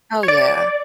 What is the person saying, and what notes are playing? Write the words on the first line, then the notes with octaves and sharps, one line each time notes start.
Oh yeah.
C#5
D5